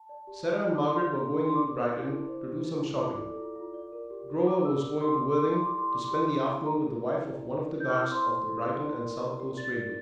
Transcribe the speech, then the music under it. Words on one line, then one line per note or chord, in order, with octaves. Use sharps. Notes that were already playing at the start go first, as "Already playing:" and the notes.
Sarah and Margaret were going into Brighton to do some shopping, Grover was going to Worthing to spend the afternoon with the wife of one of the guards of the Brighton and South Coast Railway.
Already playing: A5
D5
G4
E4
E4
D6
D5 C6
G4
D4
D4
C6
D5 D6
A#4
E4
E4
C5
G4
E4
E4
D5 D6
A4
F4
F4
D5
A#4
G4
G4
D5 D6
A#4 E6
G4
G4 C6
D6
D5
C6
A4 D6
E4 C6
D6
E4 C6
D5 D6
C6
G4
E4
E4
A#4 A#5
G4
D5
E4
D5
A#4
E4
G6
F6
E4 E6
D6
C5 C6
A4
E4
E4
D5
A#4
G4
G4
D5 A6
A#4